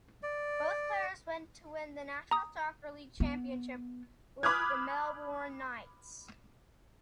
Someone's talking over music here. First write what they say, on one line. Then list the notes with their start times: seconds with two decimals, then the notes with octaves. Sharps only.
Both players went to win the National Soccer League championship with the Melbourne Knights.
0.23 D5
2.31 A#5 D#6
3.20 B3
4.43 B5 D6 D#6 F6 F#6 G#6